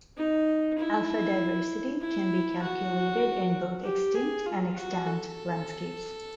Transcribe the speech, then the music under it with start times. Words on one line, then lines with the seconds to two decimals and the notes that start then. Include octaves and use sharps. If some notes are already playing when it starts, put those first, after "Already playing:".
Alpha diversity can be calculated in both extinct and extant landscapes.
0.17 D#4
0.78 E4
2.01 E4
2.62 F#4
3.84 G4
4.15 G#4
4.46 F4
4.76 F#4
5.07 A4